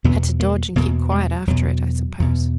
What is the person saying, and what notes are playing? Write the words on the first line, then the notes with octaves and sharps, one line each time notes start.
Had to dodge and keep quiet after it, I suppose.'
E2 B2 B3
A#3
E2 B2 A#3
G#3
E2 B2 F#3
E2 B2